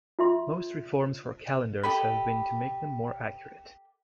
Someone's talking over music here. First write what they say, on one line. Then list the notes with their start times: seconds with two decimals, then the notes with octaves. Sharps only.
Most reforms for calendars have been to make them more accurate.
0.19 F4 E5 C6
1.83 G4 A4 D#5 B5